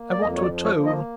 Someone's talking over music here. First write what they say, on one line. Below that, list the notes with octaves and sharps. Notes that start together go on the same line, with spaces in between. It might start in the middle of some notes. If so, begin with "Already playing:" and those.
I want to atone.
Already playing: A#3
D5
F2 D#5
C#5
D5
F3
C#5
A#3
D#5